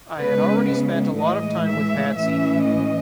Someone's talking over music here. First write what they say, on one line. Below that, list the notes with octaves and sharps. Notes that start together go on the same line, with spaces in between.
I had already spent a lot of time with Patsy.
C#3 G#3 B3 B4
A2 E3 G#3 D#5
E5
A2 E3 A3 C#4 E5
D#5